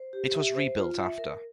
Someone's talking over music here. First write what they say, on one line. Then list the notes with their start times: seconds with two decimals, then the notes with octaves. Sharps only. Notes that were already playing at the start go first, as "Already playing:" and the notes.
It was rebuilt after.
Already playing: C5
0.13 G4
0.34 E5
0.55 C5
0.76 F4
0.98 E5
1.18 A#4